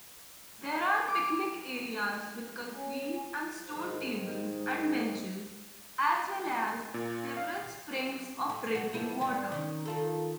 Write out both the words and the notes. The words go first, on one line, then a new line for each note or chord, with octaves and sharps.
There are picnic areas with concrete and stone tables and benches as well as several springs of drinking water.
D6
C#4
G#2 D#3 G#3 C5
A#2
F5
A2
F#4
F3 B3 E4
G#2 G3
D#3 C#4
D#3 F4 A4